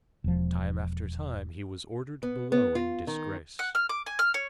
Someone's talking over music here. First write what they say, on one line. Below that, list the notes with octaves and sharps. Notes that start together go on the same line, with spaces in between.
Time after time he was ordered below in disgrace.
E1 F3
B3
B3
F4
D#3
F#5
F6
D6
G#5
F6
C#5